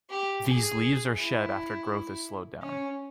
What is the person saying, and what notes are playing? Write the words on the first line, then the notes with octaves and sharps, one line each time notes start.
These leaves are shed after growth has slowed down.
G4
G#4
E4
C#4